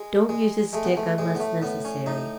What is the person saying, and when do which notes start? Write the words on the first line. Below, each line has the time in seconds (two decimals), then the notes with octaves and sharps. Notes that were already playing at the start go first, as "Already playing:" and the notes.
Don't use a stick unless necessary.
Already playing: G#3
0.29 G#3
0.73 G#3 A3
0.85 B3
0.97 A3
1.18 A2 G#3
1.35 B3
1.40 A3
1.62 A2 B3
1.85 C#4
2.06 A2 D#4